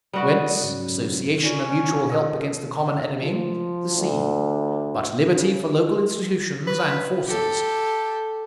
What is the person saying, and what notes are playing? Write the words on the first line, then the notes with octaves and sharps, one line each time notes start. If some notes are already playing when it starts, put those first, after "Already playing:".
Whence, association and mutual help against the common enemy, the sea; but liberty for local institutions and forces.
G3 F#4 D5 F#5 D#6
G#2 C#3 F#3
C#4 F4 D5
F3 A#4 B4 F5
F3
D2
C#3
B4
G4 A4